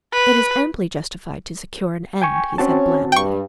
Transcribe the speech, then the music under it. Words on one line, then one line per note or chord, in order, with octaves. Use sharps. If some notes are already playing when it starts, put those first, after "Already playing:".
"It is amply justified to secure an end," he said blandly.
B4
G5 G#5 C#6
C4 C#4 F#4 A5
G2 G5 C#6